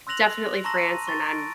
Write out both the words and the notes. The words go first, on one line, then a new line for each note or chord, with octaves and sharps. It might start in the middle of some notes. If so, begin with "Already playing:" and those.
definitely France and I'm
C6 E6 F#6 A#6 F7 F#7
A5 A#5 C6 C#6 E6 A#6
D#7
C6 C#6 A6
D7